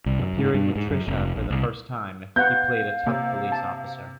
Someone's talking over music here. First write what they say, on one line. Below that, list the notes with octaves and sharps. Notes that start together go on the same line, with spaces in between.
Appearing with Trisha for the first time, he played a tough police officer.
C2
F#2
G#2
G2
G#2
F#2
F1
A#1
C2
B3 F5 F#5 G6
C3 A#3
A5